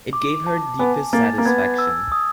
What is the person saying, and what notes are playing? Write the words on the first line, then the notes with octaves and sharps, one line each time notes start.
It gave her deepest satisfaction.
D6
A5
B3 G#5
A#3 A6
A#3
B3 G#6
E6
D#6